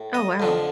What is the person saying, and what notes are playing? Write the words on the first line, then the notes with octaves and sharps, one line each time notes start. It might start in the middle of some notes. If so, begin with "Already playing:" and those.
Oh, wow.
Already playing: A2
D#5
F2 D3 F3